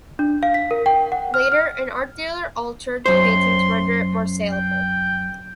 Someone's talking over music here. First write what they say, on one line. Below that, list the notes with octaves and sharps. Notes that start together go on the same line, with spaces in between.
Later an art dealer altered the painting to render it more saleable.
D4
F5
B6
A#4
G5
F#5
F6
F6
F#2 C5 C6
G5